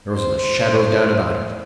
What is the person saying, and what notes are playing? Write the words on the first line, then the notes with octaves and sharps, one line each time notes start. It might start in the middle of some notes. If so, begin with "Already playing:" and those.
There wasn't a shadow of doubt about it.
C5 C6